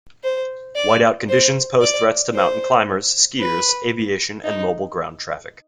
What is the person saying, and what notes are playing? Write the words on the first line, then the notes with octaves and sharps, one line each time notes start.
Whiteout conditions pose threats to mountain climbers, skiers, aviation, and mobile ground traffic.
C5
D5
C5
D5
C5
B4
D#4